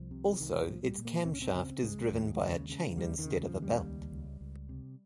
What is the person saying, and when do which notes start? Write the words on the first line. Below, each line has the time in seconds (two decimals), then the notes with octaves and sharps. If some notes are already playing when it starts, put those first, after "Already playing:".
Also, its camshaft is driven by a chain instead of a belt.
Already playing: C2 F3
0.11 C3
0.33 F3
0.40 C2 D#3
0.62 F3
0.69 A#2
0.83 G3
0.98 A#2
1.05 A#3
1.26 C#2 C4
1.33 C#4
1.42 C4
1.55 C#3 C4
1.83 C#2 G#3
2.12 D#2
2.40 C#3
2.69 C#3
2.97 D#2 G3
3.19 D#3
3.26 C#3
3.41 F3
3.55 D#2
3.62 G3
3.84 C#2
4.12 C#2
4.41 C#2
4.69 C3